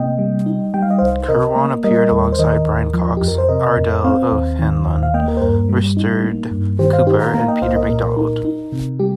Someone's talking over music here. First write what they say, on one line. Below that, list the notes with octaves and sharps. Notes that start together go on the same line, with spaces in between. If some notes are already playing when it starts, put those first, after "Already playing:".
Kirwan appeared alongside Brian Cox, Ardal O'Hanlon, Risteard Cooper and Peter McDonald.
Already playing: C3 A#3 D#5 G5
G3
D#4
G3 G5
F5
D#5
C2 C5 F5
C5
C3 A#4 D#5
A#3
G3 A#4 D#5
D#2
C5
D#3 A#4 D#5
D#2
F3
F2 G4
A#4
C5
C3 A#4 D#5
F2
C4 C5 F5
D#2
D#3
D#2
F5
A#3 D#5 G5
A#4
C5
G2 A#4
G3
D#4
A#3
G2
D#3 G4 C5
C5 F5
D#4 G4 C5
F5 A#5
A#3 F5 A#5
D#5 G5
C2 C5 F5
A#4 D#5
A#2 A#4
D#4
D#4
C3
G3 G4